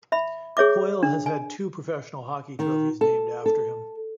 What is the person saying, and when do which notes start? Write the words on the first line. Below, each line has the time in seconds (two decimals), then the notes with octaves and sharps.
Poile has had two professional hockey trophies named after him.
0.12 E5 B5
0.57 G#4 C#5 E5 D6
1.03 D4
1.26 G#5
2.59 D#3
3.01 A4
3.46 A4